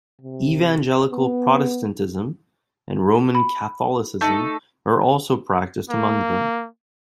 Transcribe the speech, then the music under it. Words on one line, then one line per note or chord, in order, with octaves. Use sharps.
Evangelical Protestantism and Roman Catholicism are also practiced among them.
C3
B3
B5
A3 D#4 A4
A#3